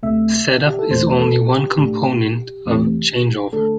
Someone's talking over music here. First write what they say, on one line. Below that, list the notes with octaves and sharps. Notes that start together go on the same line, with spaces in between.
Set-up is only one component of changeover.
D2 C3 A3 E5
G4
A4
E2 C3 E3 A3 C5
A4
G4
A2 A3 D4
E2 C3 E3 A3 C4
D3 A3 D4 A4